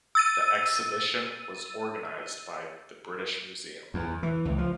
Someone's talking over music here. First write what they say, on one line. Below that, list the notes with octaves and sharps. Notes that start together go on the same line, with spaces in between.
The exhibition was organized by The British Museum.
E6 A6 D#7
E2
E3
C#2
F3